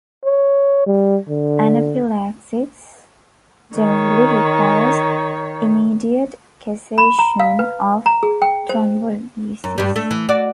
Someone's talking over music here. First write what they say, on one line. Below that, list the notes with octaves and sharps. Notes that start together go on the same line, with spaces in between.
Anaphylaxis generally requires immediate cessation of thrombolysis.
C#5
G3
D3
D#3 C#5
B5
A#5
F5
B4
A#5
G#4
G5
C5
F#2
G2 G3
A3
E3
F#4 D5